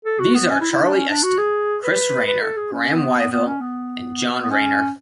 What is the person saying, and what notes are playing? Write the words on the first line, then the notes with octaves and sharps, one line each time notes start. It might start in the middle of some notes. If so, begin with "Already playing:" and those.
These are Charlie Elston, Chris Raynor, Graham Wyvill and John Raynor.
A4
F#4
B3
C#4
E4
E4
D4
C#4
D4
F#4
G#4
B4
B4
A4
G#4
C#4
B3
B3
B3
C#4
B3
B3
C#4